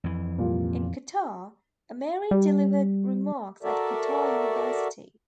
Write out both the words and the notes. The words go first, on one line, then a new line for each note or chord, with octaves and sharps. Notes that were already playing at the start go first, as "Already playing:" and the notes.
In Qatar, Ameri delivered remarks at Qatar University.
F2 E3
C2 A#2
G3
F#4 A4 A#4 D5 E5